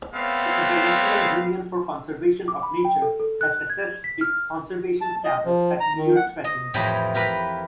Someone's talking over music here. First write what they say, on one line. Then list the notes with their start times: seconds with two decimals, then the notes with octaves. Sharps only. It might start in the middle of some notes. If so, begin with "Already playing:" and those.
The International Union for Conservation of Nature has assessed its conservation status as "near-threatened".
0.14 A3 B3 C4 C#5 F5
2.48 D6
2.63 B5
2.85 G5
3.02 A4
3.20 A4
3.41 F#6
3.70 G#6
4.04 B6
4.21 F6
5.01 A5
5.24 D#5
5.45 F3
5.80 A#5
5.97 D#3
6.16 F#5
6.44 D#5
6.74 F2 A2 E3 G4 D#5 B5
7.15 G4 A#4 B4 B5